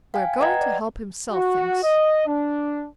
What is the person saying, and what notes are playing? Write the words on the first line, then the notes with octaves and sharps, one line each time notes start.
"We're going to help him sell things."
F5 G5 G#5
B4 D#5 F#5 G5 A#5 G#6
D5
F#4
D#5
D4